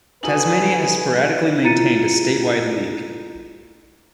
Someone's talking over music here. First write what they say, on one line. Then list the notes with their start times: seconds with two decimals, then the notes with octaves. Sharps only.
Tasmania has sporadically maintained a statewide league.
0.23 D#4 F#4 A4 B4 D#5 G#5 F#7
1.64 E4 F4 A#5 A6 C#7 D#7